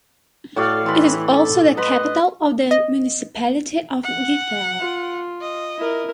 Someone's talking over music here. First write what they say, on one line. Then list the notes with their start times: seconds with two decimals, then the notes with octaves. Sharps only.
It is also the capital of the municipality of Gytheio.
0.56 A2 F#4 A4 D5 F5
0.86 E3 B5 C6
1.28 A4
1.77 B4 D#5 B5 C6
2.71 D#5
4.03 F#5
4.80 F4
5.41 D#5
5.78 E4 A#4